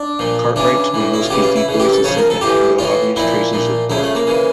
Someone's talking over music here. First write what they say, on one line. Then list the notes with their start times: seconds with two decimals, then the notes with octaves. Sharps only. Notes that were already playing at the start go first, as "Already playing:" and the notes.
Cartwright's normal speaking voice is said to have "no obvious traces of Bart".
Already playing: D4
0.19 A#2 F3
0.56 C#3 E3 D4
0.94 A2 E3
1.14 E4
1.23 F4
1.30 C#3 E3 G4
1.42 F4
1.56 E4
1.68 C#3 E3
1.80 G4
1.92 A4
2.04 C#3 F3 C#5
2.17 A#4
2.30 A4
2.41 A2 E3 G4
2.79 A2 E3 F4
3.16 A#2 F3 E4
3.53 A#2 F3
3.90 C#3 F3 E4
4.03 A3
4.15 A#3
4.27 C#3 E3